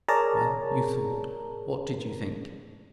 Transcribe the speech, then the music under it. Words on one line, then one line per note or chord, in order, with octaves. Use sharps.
"Well, you thought--what did you think?"
G#4 A#4 C#5 D5 A5 A#5